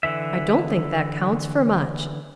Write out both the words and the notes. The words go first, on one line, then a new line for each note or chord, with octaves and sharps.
I don't think that counts for much.
D3 E3 E5